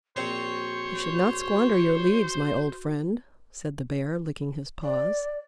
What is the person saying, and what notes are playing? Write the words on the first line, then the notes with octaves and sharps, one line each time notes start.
"You should not squander your leaves, my old friend," said the Bear, licking his paws.
A#1 C4 F#4 C5 C#5 C6
D5